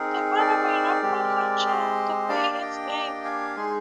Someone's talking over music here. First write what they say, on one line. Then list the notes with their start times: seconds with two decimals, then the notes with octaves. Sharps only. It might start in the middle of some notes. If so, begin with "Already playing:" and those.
The mother may not call her child by its name.
Already playing: C4 D#4 G#4 A#4
0.39 A#4 D5
1.02 G#3 C4 G4
1.66 C5 D#5
2.29 A#3 D4 G4 D5 F5
2.55 F5
2.61 D#5 G5
3.25 F5 G#5
3.56 G#3 D#4 G#4 G#5 C6